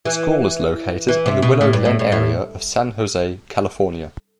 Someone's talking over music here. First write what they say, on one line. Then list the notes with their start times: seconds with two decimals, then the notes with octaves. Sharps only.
The school is located in the Willow Glen area of San Jose, California.
0.05 E3
1.08 E3
1.26 C3
1.42 B2
1.61 A2
1.73 G2
1.85 A2
1.99 A2
2.12 A2